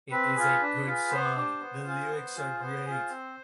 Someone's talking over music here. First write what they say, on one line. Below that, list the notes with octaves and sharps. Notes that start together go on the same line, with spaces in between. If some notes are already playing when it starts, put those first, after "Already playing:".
It's a good song, the lyrics are great.
C4 B4
F4 G#4
D4
F4 G#4
B3 C5
D4 G4
B3
F4 G#4
B3
F4 G#4
B3 C5
F4 G#4
C4